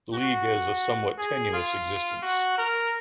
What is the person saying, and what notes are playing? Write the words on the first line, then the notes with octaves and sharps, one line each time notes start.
The league has a somewhat tenuous existence.
F#4
G#4
F4
F#4
A#4